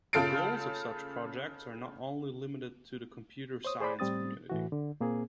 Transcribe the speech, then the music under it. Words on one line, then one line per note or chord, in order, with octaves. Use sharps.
The goals of such projects are not only limited to the computer science community.
C#3 F4 A4 A6 C7 D7
C5 C#5 D#6
G#4 C5 D5 B5
A2 G3 C4 D#6 A6
A2 E3 F#4
D3
A#2 A#3 C4 G#4